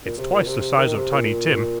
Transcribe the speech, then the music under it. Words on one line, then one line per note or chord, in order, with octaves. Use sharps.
It's twice the size of Tiny Tim.
A#2
C3
A#2
C3
C3
D#3
C3
A#2